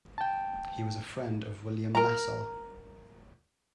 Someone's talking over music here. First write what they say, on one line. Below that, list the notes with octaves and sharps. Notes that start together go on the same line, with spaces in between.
He was a friend of William Lassell.
G5 A5
A#4 A#5